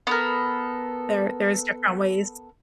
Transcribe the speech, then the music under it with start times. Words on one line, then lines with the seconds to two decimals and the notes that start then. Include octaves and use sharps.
there there's different ways
0.07 B3 A4 A#4